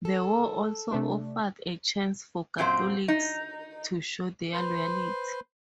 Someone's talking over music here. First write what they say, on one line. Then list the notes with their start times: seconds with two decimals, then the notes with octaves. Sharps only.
The war also offered a chance for Catholics to show their loyalty.
0.05 A4
0.91 C3 A3 D4
2.58 F#2 A#2 C4 F4 C5
3.08 D#4
4.53 B4 C5 C6